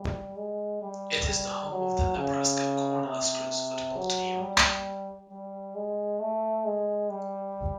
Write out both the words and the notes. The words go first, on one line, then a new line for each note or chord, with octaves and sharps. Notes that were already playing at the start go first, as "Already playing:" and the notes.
It is the home of the Nebraska Cornhuskers football team.
Already playing: G3
G#3
G3
G3
F#3
C#3
C3
F#3
G3
G3
G#3
A3
G#3
G3